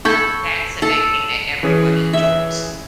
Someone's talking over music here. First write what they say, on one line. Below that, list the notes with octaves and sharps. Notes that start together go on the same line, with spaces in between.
That's a big thing that everyone enjoys.
A4 B5 C#6 G6 G#6
A4
E3 C#4 G#4
E5